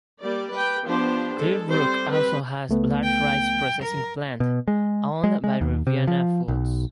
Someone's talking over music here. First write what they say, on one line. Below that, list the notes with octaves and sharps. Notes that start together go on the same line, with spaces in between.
Clearbrook also has large rice processing plant, owned by Riviana Foods.
G3 A#3 D5
G4 B4 G5
F3 B3 D4 G4 C5
G#3 A4
G3 C4 C5
C4 B4
C#2 A3 B3
G5
A#4
B2
G#3
G#3
G#3
D#2
C3
F3
B1